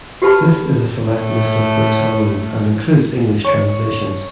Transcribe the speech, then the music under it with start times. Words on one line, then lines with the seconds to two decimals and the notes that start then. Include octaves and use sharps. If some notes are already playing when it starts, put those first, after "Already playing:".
This is a select list of books alone and includes English translations.
0.22 F#4 G4 A4 B4 A5 B5
1.08 A2 A3
3.45 C#5